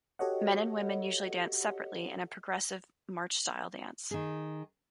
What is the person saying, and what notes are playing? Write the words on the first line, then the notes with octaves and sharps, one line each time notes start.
Men and women usually dance separately in a progressive march style dance.
F#4 G4 A4 C#5 D#5 F#5
D#3 G#4